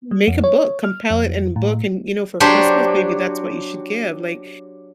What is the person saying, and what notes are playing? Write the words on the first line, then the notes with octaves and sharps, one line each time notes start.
Make a book, compile it and book, and, you know, for Christmas, maybe that's what you should give, like,
G3
F2
C#5
F6
F2
A2
F#3 D4 G4 C5